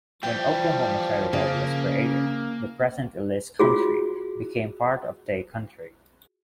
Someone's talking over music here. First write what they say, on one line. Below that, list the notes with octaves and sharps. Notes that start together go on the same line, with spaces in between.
When Oklahoma Territory was created, the present Ellis County became part of Day County.
E3 F3 G3 G5
C#3 A#3
F4 F#4 G#4